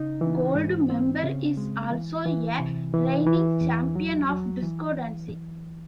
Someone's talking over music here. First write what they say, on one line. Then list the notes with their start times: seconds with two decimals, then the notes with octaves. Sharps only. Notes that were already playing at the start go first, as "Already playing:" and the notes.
Goldmember is also a reigning champion of disco dancing.
Already playing: C#3 D#4
0.21 E3
0.55 G#2
0.90 C4
1.23 C#3
1.57 G#3
1.91 E3
2.25 E3
2.59 C3
2.93 E3
3.27 E3
3.61 E2
3.95 F#3
4.29 F#3
4.63 E3